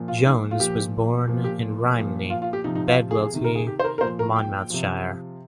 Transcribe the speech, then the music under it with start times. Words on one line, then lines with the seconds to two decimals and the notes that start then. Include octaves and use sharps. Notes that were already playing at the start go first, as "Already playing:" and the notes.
Jones was born in Rhymney, Bedwellty, Monmouthshire.
Already playing: A#2 F3
0.08 F4
0.26 D#4
0.51 F4
0.60 A#2 F3 G4
1.27 A#2 F3
1.44 G4
1.96 A#2 F3
2.30 F4
2.42 F4
2.53 G4
2.64 C3 F3 D#4
2.75 D#4
2.88 F4
3.11 G#4
3.22 G#4
3.34 C3 D#3
3.44 A#4
3.56 G#4
3.67 G4
3.80 C5
3.84 A#4
3.98 A#4
4.01 A#2 F3 C5
4.19 A#4
4.36 G5
4.70 C3 F3